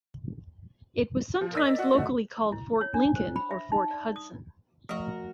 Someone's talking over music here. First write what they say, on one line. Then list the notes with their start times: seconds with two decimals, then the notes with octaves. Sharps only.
It was sometimes locally called Fort Lincoln or Fort Hudson.
1.41 F3
1.53 A#4 D5 D#5 E6 B6
1.78 F#4
1.95 A3 F#4
2.52 E4
2.81 C#5
2.94 D4
3.16 C5
3.36 B5
3.51 E5
3.72 D#4
3.91 D5
4.16 D#6
4.89 F3 A3 F#4 A#4 D#5